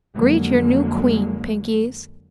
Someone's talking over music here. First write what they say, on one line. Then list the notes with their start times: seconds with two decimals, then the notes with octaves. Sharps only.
"Greet your new Queen, Pinkies!"
0.15 F2 D3 F#3 G#3 A#3